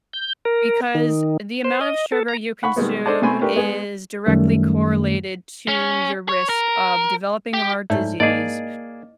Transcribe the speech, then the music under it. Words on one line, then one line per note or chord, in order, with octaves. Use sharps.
Because the amount of sugar you consume is directly correlated to your risk of developing heart disease,
G6
A#4
D#3
C5
D#5
A4
A#5
F#5 B5 C#6
B2 D#3 G3 G#3 B3
D4 A4 C5 D5 A5
B2 A3 C4 G#5 B5 C6
A3 D4 G4 A#4 B4
G#3 B3 G#5
F#2 D#3 G3 A3
C#4
C#5
A#4
G4
G#2 A3 E4 C#5 D5
G#2 A#3 D#4 G#4 D5 D#5 D6